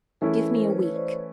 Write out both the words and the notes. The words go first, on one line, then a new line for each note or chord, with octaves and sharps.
Give me a week.'
E3 A3 C#4 E4 G#4 A#4
A4 B4
A#4 C5
B4 C#5
B4 C#5
C5 D5
B4 C#5